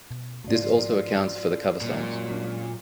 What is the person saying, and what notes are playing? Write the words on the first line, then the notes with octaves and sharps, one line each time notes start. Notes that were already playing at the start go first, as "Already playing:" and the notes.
This also accounts for the cover songs.
B2
G#2 C#3 F3 A3 F4 F#4 D5
F#2 A#2 F#3 G#3
C#4 D4